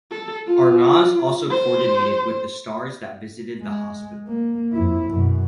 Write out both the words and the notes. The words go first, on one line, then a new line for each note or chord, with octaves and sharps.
Arnaz also coordinated with the stars that visited the hospital.
A4
F4
C5
G#3
A#3
F2 E4
F#2 B2